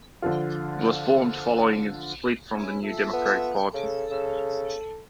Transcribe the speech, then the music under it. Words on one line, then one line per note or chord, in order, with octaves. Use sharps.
It was formed following a split from the New Democratic Party.
D3 F3 F4
C#2 C#4 E4
F4 A4 E5
B3
C#3 A4
C#3